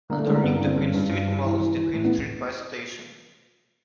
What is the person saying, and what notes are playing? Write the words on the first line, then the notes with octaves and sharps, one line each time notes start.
Underneath the Queen Street Mall is the Queen Street Bus Station.
D3 A#3
A3
D3 G#3
A#3
G2 B3
A#3
D3
C4
G2 C#4
G2
G2
G2
E3
E3
E3
A2
B3